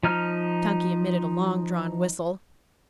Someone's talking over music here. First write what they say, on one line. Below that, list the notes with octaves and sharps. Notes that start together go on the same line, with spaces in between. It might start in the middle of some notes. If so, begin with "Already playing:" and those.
Chunky emitted a long-drawn whistle.
F3 D#4 F6